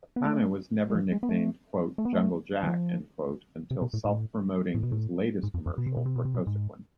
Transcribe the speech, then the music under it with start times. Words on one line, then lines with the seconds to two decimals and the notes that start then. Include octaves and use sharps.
Hanna was never nicknamed "Jungle Jack" until self-promoting his latest commercial for Cosequin.
0.16 B3
0.25 A3
0.90 G#3
0.95 F3
1.12 G#3
1.23 B3
1.29 A3
1.98 A3
2.05 B3
2.13 A3
2.63 E3
2.67 F3
3.71 C3
3.82 B2
3.94 A2
4.05 A2
4.74 A2
4.83 B2
4.92 A2
5.43 G#2
5.54 F2
5.66 F2
5.78 B2
5.86 C3
5.97 B2
6.06 C3
6.16 B2
6.25 C3
6.34 B2
6.47 G#2